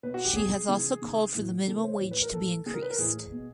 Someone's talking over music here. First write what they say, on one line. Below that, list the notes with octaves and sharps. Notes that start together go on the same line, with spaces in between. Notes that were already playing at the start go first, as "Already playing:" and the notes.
She has also called for the minimum wage to be increased.
B2 B4
F#4
G4
B2 G#4
C3 E3
C3 D#3
A2 E3
C3 E3 A4
A#4
C5
C#5
A2 E3
B4
A#4
A2 E3 A4
C3 D#3 G#4
A#4
B4
A#4
A2 E3 G#4
B2